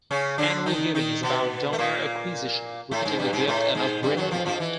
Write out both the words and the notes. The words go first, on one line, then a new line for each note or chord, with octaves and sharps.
Annual giving is about donor acquisition, repeating the gift and upgrading the gift.
C#3 C#4
D3 D4
D#3 D#4
D#3 D#4
B2 B3
A3
A#2 A#3
A2 A3
G#2 G#3
G2 G3
G#2 G#3
A2 A3
G#2 G#3
G2 G3
F#2 F#3
F2 F3
F2 F3
E3